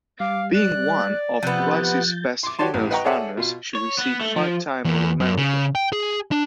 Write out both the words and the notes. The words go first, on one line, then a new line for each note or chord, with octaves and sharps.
Being one of Rice's best female runners she received five time All America.
G3 F5 D6
D5 F#6
C3 F3 B3 F#6 G6 A6
C6 D6
F#4 G4 C#5 D5 A5 C6
A1 A2
B4 D#5 F#5 G5 A#5 C#6
G#4 A4 C#5 D5 E5 F#5
B2 F4
C#5
B3
A3
F3
E2
F#2
C#3
G5
G#4
D4